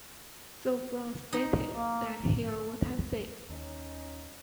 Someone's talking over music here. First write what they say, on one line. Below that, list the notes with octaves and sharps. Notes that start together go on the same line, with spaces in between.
Though Brown stated that Hear What I Say!
D#4
A#3
D#2 C#4 D#4